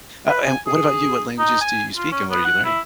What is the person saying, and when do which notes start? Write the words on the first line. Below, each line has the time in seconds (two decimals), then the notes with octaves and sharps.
Uh, and what about you? What languages do you speak and what are you learning?
0.29 B4
0.46 G#5
0.67 G#4
1.39 D#4
1.61 G#5
1.96 F4
2.12 C#4
2.31 B3
2.45 F#5
2.65 E4